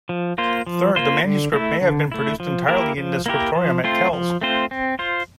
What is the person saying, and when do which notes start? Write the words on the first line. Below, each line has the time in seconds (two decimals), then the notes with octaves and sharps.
Third, the manuscript may have been produced entirely in the scriptorium at Kells.
0.09 F3
0.38 A#3 F4 C5
0.67 F3
0.96 A#3 F4 C5
1.25 D3
1.53 A3 E4
1.82 D3
2.12 A3 E4
2.40 F3
2.68 A#3 E4 G4 A#4
2.98 F3
3.26 A#3 E4 G4 A#4
3.56 F3
3.84 A3 C4 F4 C5
4.13 F3
4.41 A3 C4 F4 C5
4.71 C4
4.99 F4 C5